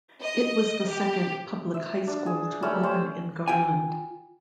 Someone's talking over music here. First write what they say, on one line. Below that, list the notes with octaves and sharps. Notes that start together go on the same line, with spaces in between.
It was the second public high school to open in Garland.
D#5
G4
E5
D4
G#4
G3 A3 C#4 E5
C#4 G4 C5
F4 G5 G#5